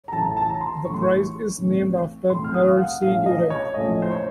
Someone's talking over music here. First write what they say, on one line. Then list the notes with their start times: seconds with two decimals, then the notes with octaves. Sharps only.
The prize is named after Harold C. Urey.
0.08 A#5
0.12 A1 A2 A3 C#4 A5
0.37 A5
0.50 A#5
0.61 C6
0.85 A1 A2 A3 C#4 C#6
0.94 C6
1.03 C#6
1.58 A1 A2 A3 C4
2.30 A1 A2 A3 C4 C6
2.44 F6
2.54 D#6
2.68 F5
2.78 F#5
3.02 A#1 A2 A3 C#4 F5
3.26 D#5
3.50 C#5
3.74 A#1 A2 A3 C#4 D#5
4.02 C5
4.11 C#5